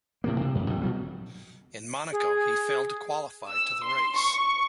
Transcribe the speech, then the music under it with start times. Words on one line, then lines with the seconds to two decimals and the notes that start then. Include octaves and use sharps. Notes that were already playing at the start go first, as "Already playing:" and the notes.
In Monaco he failed to qualify to the race.
0.24 A2 C3 A#3
0.41 C3
0.55 A1 F#2
0.70 B1 F2 G3
0.81 B2 F#3 G3
2.12 G#4
3.50 E6
3.85 C6
4.16 C#6